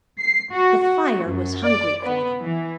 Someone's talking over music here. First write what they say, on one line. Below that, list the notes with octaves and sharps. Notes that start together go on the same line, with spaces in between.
The fire was hungry for them.
C7
F#4
F#4
F#2
D5
B3
E3